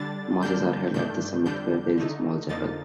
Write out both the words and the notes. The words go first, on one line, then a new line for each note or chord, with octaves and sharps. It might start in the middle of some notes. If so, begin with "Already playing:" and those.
Masses are held at the summit, where there is a small chapel.
Already playing: D3 G3 D4 A6
D3 G3 A#3 D4 G6
G2 D#3 A3 D4 G6
F2 D3 G3 D4 G6
D3 A3 D#4
F2 D3 F3 A#3 D#4 A6